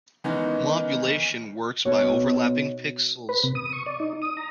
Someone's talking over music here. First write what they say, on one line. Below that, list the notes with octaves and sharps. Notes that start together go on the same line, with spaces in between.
Wobulation works by overlapping pixels.
D#3 E3 G#3 B3 C#4 D#4
B2 D#4 F#4 C#5
B4
C3
D#6
C#6
D5
D#4
D#6
A#5